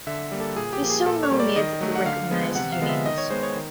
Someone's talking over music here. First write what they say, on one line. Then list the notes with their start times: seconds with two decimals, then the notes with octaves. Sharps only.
He saw no need to recognise Unions.
0.07 D3 E5
0.32 G3 A#3
0.40 A4
0.56 A#2 G#4
0.73 G4
0.81 F3 A#3
0.90 G#4
1.06 A#2 A4
1.23 C#5
1.31 G3 A#3
1.40 D5
1.56 D#3 D#5
1.81 F#3 A3
1.95 F#5
2.06 D3 F5
2.31 F3 G#3 B3
2.55 C3 F#5
2.72 F5
2.81 F3 G#3 B3
2.89 E5
3.06 D#3 D#5
3.18 C#5
3.30 G#3 B3 C5
3.43 C#5
3.55 D#3